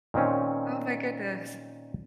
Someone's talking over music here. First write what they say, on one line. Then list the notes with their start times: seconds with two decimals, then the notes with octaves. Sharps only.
Oh my goodness.
0.14 A#2 D#3 C4 C#4